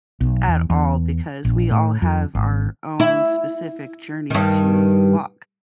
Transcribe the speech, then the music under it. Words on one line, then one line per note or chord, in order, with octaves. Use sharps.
at all because we all have our own specific journey to walk.
B1
E2
E2
A#1
A2
F2
G#1
E4
G2 D#3